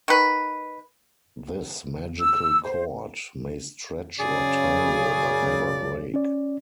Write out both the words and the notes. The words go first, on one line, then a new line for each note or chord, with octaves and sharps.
This magical cord may stretch or tangle, but never break.
D#3 B4
E6
C5
F#2 C#3 G#4 D5
C#4 D5